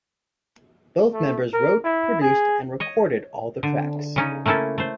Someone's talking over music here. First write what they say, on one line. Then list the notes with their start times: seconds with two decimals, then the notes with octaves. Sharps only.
Both members wrote, produced, and recorded all the tracks.
1.13 A3
1.53 A#4
1.84 E4
2.21 G#4
2.80 C#5 D#5
3.63 D3
4.16 C#3 C#4 D#4
4.46 A3 A#3 C#4 E4 A4
4.78 A3 C5